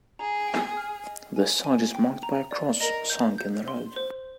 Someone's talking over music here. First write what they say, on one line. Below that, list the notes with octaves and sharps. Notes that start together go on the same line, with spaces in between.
The site is marked by a cross sunk in the road.
G#4 A#5
G5
F6
D#5
G#5
G#5
G5
A#5
D5
A#4 D#5
G6
G6
C6
C5